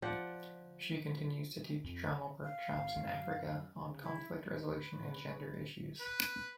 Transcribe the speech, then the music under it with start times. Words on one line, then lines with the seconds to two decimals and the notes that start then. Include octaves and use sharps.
She continues to teach drama workshops in Africa on conflict resolution and gender issues.
0.02 F3 D5 F#5 G5
1.84 F2
2.44 F5
2.74 G#1
2.96 F#2
3.76 C#3
4.03 E4
4.65 B4
6.00 B4